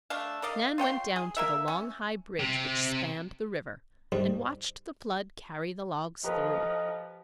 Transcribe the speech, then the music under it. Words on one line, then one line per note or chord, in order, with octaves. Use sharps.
Nan went down to the long, high bridge which spanned the river and watched the flood carry the logs through.
A3 D4 F5
A#4 D5 D#5 F5
F4 C#5 G5 C6
G#4
A#3 A#4 E5
C#4
C3
G#2 G3
F3 G4 A4 B4 D#5 A#5